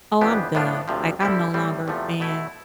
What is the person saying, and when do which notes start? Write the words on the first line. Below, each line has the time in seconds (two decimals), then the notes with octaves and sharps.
"Oh, I'm done. Like, I'm no longer a fan."
0.21 F2 E3 B3 D4 G4
0.55 A2 F3 B3 D4 F4
0.88 D2 C3 F3
1.21 D3 G3 C4 E4 G4
1.54 A2 G3 C4
1.88 E2 C3 F3 A3
2.20 B2 A3 E4